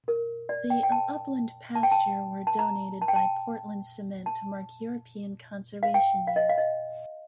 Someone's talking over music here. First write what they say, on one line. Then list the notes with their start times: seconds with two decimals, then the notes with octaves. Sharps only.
The of upland pasture were donated by Portland Cement to mark European Conservation Year.
0.08 A#4
0.49 D5
0.70 G5
0.83 G5
0.92 A5
1.75 A5
1.83 G5
1.92 A5
2.47 A5
2.59 A#5
3.02 A5
3.08 G5
3.16 A5
4.26 A5
5.83 F5
5.94 G5
6.27 F5
6.36 D#5
6.49 F5
6.58 D#5